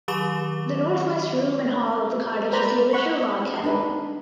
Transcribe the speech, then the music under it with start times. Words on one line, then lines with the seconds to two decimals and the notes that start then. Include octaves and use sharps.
The northwest room and hall of the cottage is the original log cabin.
0.08 D#3 F#3 G4 C#6 D6 E7
2.52 B4 C5 D5 A#5 B5
2.93 F#5 B5 C#6
3.64 D4 D#4 B4